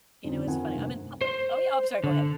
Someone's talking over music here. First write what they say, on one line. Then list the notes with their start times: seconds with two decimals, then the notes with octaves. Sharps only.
You know, it's funny, I'm in public oh, yeah, I'm sorry, go ahead.
0.24 F2 D3 C4 C#4 D#4
0.47 F2 D#3 A#4 F#5 G#5
0.75 G2 C3 A3
1.21 C5
2.04 D3